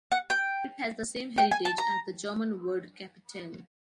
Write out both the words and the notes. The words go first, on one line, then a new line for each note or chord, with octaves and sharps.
It has the same heritage as the German word “Kapitell”.
F#5
G5
G5
G#5
A5
A#5